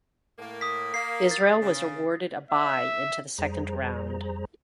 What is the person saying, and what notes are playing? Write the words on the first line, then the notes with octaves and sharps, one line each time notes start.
Israel was awarded a bye into the Second Round.
A2 A#3
D#6 B6
A#3 C7
A6
C#3
E5
F2 G3 G#4 C5 A#5